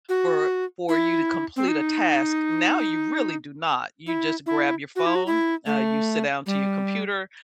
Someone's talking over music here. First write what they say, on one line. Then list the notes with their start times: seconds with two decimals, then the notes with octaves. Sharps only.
for for you to complete a task, now you really do not. You just grab your phone, uh, you sit down to your computer,
0.09 F#4
0.89 E4
1.56 C4
1.68 D#4
4.07 E4
4.46 E4
4.96 F#4
5.06 E4
5.15 F#4
5.27 E4
5.66 A3
6.46 G3